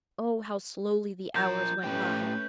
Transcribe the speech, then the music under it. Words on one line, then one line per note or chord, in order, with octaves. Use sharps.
Oh, how slowly the hours went by!
F3 A#4 G6
A2 A3 C#4 G4 B4